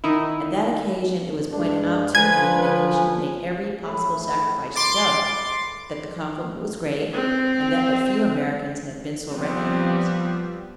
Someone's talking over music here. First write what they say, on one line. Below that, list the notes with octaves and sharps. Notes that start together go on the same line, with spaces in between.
At that occasion it was pointed out to him that he should make every possible sacrifice to go, that the compliment was great, and that but few Americans had been so recognized.
D#3 D#4 E4
G2 G#3 D4
D3 F3 B4 G#5 G#6
A2 G#4 B4
C6 D6 A6
C4
F3 G3 B3 C4